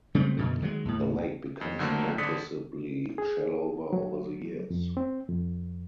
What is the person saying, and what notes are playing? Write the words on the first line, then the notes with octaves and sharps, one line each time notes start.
The lake becomes noticeably shallower over the years.
C#3 G3 A3 C4
F#2 B2 D3
D#3 F#3 G#3
D#2 A2
F2
C2 D3 F#3 A3 A#3 C4
G#1 D3 D5 D#6 B6 C#7
G#4
F#3
F2
C4
F2